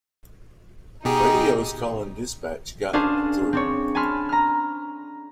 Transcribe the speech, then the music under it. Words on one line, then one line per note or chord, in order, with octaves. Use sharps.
Radios calling dispatch got through.
B2 D#4 G4 G#4
C#4 D4 G#4 C5 F5 A5
C4 D4 C#5
G#5 A5 B5 C6 F6
A#5 F6